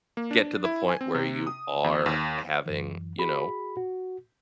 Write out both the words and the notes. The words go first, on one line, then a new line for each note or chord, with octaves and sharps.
get to the point where you are having, you know,
A#3
D4
E4
G#5
C4
C3
D#6
E2
D#2
F#2 E3
F#4 G#4 B5
F#4